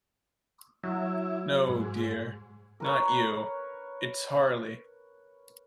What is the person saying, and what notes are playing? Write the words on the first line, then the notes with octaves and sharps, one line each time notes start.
No, dear, not you; it's Harley.
F#3 E4
G#2
A#4 B4 C#5